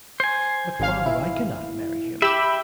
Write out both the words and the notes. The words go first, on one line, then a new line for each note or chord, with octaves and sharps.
But, father, I cannot marry him.
C5 G#5
G#1 F5
E4
G4 E5 G5 B5 E6